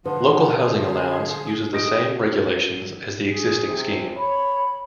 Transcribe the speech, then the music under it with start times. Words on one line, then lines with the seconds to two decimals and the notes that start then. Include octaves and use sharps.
Local Housing Allowance uses the same regulations as the existing scheme.
0.05 D3 F3 B4 F#5
0.60 G#4
1.73 D#5 G6 A#6 D7
3.27 G#4
3.67 C3
4.17 C#5 B5